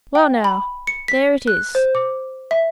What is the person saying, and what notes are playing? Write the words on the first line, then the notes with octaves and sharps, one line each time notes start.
Well, now, there it is.
G5
B5
C#7
B6
F#6
C5
D6
E5